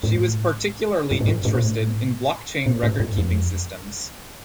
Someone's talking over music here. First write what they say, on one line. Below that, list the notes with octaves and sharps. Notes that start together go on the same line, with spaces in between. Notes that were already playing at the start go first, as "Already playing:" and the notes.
She was particularly interested in blockchain record keeping systems.
G2
A2
G2
A2
G2
A2
A#2
A2
A#2
A2
G2
F2